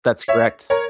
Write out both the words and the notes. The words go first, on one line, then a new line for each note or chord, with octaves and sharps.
That's correct.
C#5 E5
A#4 C#5